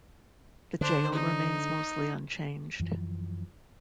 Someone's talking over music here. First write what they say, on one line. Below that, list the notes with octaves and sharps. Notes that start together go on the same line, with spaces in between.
The jail remains mostly unchanged.
D3 D4 C5
D#4
F#2 E3 F3